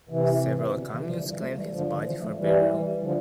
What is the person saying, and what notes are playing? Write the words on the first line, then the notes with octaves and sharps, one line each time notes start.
Several communes claimed his body for burial.
C3 E3
B2 D3
C3 E3
E3 G3
D3 F3
E3 G3
F3 A3
E3 G3
D3 F3
D3
E3
D3 F3
F3 A3
E3 G3
D3 F3